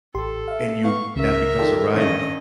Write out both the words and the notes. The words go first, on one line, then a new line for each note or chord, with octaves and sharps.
and you get that because of write-off.
A1 G4 A4 C6
E5 F5
B3 F5 C#6
C#2 C#3 A#4 E5
D#3 D4 F4 A4 G5
G#1 G2 C#4 D#5